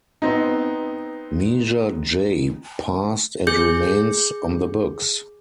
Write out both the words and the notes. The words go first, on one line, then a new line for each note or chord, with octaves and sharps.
Measure J passed and remains on the books.
B3 C4 D#4
G#4 G6